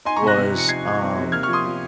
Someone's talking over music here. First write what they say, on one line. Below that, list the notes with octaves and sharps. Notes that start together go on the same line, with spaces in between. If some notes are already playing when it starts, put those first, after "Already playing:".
was, um
D#4 G#5 C6
A#5 C#6
C3
F#6 A#6
C3
F3 C#7
D#4 G#6 C7
D#4
C4
C3
A#3 F6 G#6
F3 C#6 F6
C6 D#6
F3